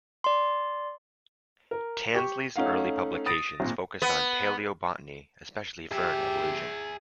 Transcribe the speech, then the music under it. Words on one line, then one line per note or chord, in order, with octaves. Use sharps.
Tansley's early publications focused on palaeobotany, especially fern evolution.
D5 C6
A#4
G4 C#6
A3 C#4 D#4 F5 F#5
D#6 A6 A#6 D7
G#1 A#2
B3
G4 G#4 E5